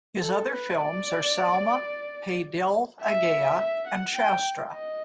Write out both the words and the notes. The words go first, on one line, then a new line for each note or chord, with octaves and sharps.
His other films are "Salma Pe Dil Aa Gaya" and "Shastra".
A4
B4
D5
E5
E5
F#5
G5
D#5